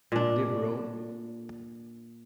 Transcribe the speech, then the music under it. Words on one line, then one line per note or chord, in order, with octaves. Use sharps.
The Bro.
A#2 D4